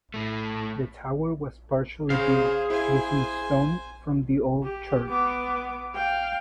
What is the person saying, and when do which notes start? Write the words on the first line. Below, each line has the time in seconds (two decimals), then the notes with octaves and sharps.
The tower was partially built using stone from the old church.
0.14 A2 A3
2.10 C#3 G#4 C5 F5
2.70 E4 C5 G#5
4.64 G4
5.09 B3 D6
5.95 F5 G5